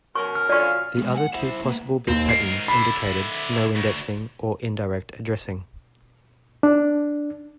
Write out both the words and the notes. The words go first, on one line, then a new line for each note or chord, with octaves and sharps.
The other two possible bit patterns indicated no indexing, or indirect addressing.
B2 C#4 A#4 C#6
F6
D2 C#4 F4 D5 C#6
G#3 B3
F#5 G#5
E4 C5
A#3 B4
D#2 C4
G#2 A#4 C7
D3 E4 B5
D2
D4